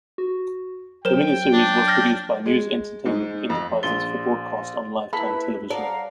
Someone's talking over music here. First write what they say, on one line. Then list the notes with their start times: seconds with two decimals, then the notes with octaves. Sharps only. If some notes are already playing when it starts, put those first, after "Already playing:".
The miniseries was produced by Muse Entertainment Enterprises for broadcast on Lifetime Television.
0.18 F#4
1.05 F#3 A#4 C5 G5 E7
1.53 D4
1.88 F6 G6 A#6
2.46 G#3
3.06 G#2
3.50 F2
3.83 A#1 C6 A6 G7
5.13 A#3 E4 A4 B4 B5
5.70 A4 D5 F5 F#5 A#5